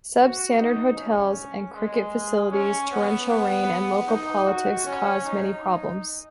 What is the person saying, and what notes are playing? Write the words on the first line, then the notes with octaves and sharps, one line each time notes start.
Substandard hotels and cricket facilities, torrential rain and local politics caused many problems.
F#4
D#4
C#4
G#3
C#4
B3
B3
D#4
F#4
C#4
D#4
D#4